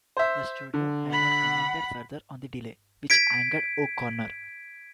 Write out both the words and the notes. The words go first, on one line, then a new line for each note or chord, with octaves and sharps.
The studio had not commented further on the delay, which angered O'Connor.
C5 E5
D3
F#5 B5
G#6 B6 D7